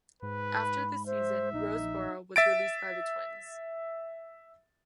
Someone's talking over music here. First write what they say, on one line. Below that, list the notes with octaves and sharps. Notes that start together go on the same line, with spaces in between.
After the season, Roseboro was released by the Twins.
G#2 B4
B5
C5 E5
A#1 D#4
E5 A6 D7